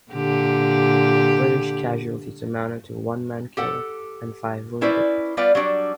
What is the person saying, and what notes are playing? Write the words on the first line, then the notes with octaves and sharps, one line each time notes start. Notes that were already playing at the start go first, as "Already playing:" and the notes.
British casualties amounted to one man killed and five wounded.
A#2 D3 G4
G4 A4 F#5
C#4 E4 B4 C5 D5
G3 B3 F4 B4 D5
F#3 G3 D4